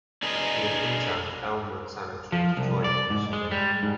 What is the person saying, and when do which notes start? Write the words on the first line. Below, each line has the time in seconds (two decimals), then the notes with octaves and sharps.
He is interred at Elmwood Cemetery, Detroit, Michigan.
0.23 D4 G#4 A#4 B4 D#5
2.32 F3
2.57 C2
2.84 D5
3.10 G#2
3.33 G#3
3.51 G3
3.83 G#2